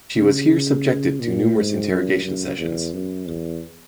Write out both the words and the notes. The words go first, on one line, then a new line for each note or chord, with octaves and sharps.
She was here subjected to numerous interrogation sessions.
C#3
A#2
G#2
F#2
F#2
E2
F#2
E2